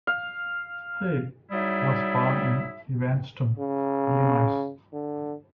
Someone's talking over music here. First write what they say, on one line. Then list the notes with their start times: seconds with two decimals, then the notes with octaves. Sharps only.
Hale was born in Evanston, Illinois.
0.07 F5
1.52 F#3 G3 D#4 E4 G#4 E5
3.59 C#3
4.93 D3